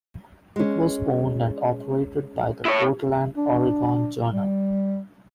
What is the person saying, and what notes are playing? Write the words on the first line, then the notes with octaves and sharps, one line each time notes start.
It was owned and operated by the Portland Oregon Journal.
G#3 C#4
E4 C#5
D4
G3